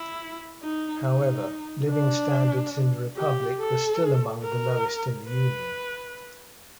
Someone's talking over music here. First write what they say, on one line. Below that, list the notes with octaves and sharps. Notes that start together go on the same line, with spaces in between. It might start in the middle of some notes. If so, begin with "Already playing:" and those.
However, living standards in the republic were still among the lowest in the Union.
Already playing: E4
D#4
D#4
D4
G4
A4
A#4
B4